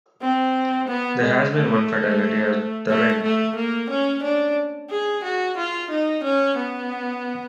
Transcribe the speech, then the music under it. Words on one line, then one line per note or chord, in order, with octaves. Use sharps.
There has been one fatality at the ring.
C4
B3
G#3
A3
A3
A3
A#3
C#4
D4
G#4
F#4
F4
D#4
C#4
B3